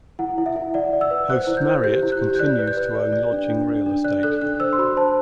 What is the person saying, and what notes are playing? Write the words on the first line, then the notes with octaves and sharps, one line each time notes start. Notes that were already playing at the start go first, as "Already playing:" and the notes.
Host Marriott continues to own lodging real estate.
E4 F#5
E4
E5
E4
D5 F#5
D5
E6
B4
C5 F#6
E4
G6
C5
G4 G6
E4
F#6
G4
G6
D5 F#6
B4
G6
B4
D5
D5
D4
D4
D4
D4
D5 F#6
A4 F#6
D4 F#6
C5 E6
C6
F#4 B5
C5 A5